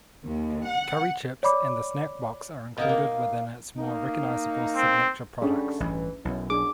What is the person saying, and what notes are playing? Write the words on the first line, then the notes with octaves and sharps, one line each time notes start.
Curry Chips and The Snack Box are included within its more recognisable signature products.
D#2
F#5
C#5 D5 B5 D6
B2 D#4 A#4 F5
A#3
A#3 D#4
C4
D3 G3 A3 C#4 D4 G#4
A1 G2 E3
B1 F#2 B2 E4
D4 G#4 D6